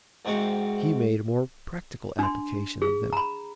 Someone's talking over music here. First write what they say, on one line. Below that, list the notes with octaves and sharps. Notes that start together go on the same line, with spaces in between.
He made a more practical application of them.
C2 G#2 G#3 C4 F#4 F5
D4 C6
G#4
A#5 B5